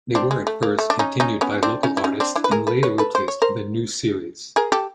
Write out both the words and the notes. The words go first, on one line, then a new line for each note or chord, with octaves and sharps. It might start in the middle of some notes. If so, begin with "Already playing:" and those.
They were at first continued by local artists and later replaced with new series.
C4 D4
G#3
A3
A#3
A3
D4
C#4 D#4
C#4 D#4
B3 C#4
C4 D4
C#4 D#4
E4
C#4 D#4
C4 D4
D4 E4
B4
G#4 A#4
A4 B4
B4 C#5
A4 B4
C5
C#5
A#4 C5
G#4 A#4
G4 A4